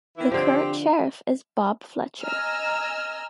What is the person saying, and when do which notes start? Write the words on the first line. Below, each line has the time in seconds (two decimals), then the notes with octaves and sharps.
The current sheriff is Bob Fletcher.
0.17 D#3 E3 E4
0.32 D3 F3 C4 G4
2.22 D#5 G#5 A#5 E6 F6